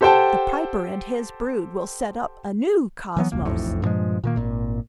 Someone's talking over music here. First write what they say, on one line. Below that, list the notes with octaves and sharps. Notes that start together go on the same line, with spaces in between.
The Piper and his brood will set up a new cosmos.
G4 A4 C5 F#5 G5 A5
E3 F#3 B3
E1 C#2 A#3
E1 B1 F2 A2
G2 A#2 F3 G#3
A#2 D#3 A#3
G#1 A#2